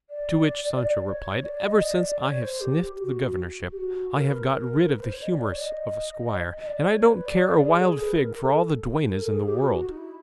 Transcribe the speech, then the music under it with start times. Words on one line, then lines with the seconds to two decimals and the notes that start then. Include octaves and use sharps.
To which Sancho replied, "Ever since I have sniffed the governorship I have got rid of the humours of a squire, and I don't care a wild fig for all the duennas in the world."
0.10 D5
1.06 C#5
1.44 D5
1.63 D#5
1.83 D5
2.21 C#5
2.41 C5
2.60 G4
2.99 F#4
3.72 G4
3.77 F#4
4.15 A#4
4.25 B4
4.35 A#4
4.93 B4
5.02 C5
5.12 C#5
5.22 D#5
5.31 D5
5.41 C#5
5.51 D5
5.61 D#5
6.59 D#5
6.67 D5
6.87 C#5
7.06 B4
7.25 D5
7.64 G#4
7.79 A4
7.84 G#4
8.02 B4
8.22 A#4
8.36 A#4
8.41 A4
9.09 A#4
9.21 A4
9.34 G#4
9.46 G4
9.58 F#4
9.89 D#4
9.97 E4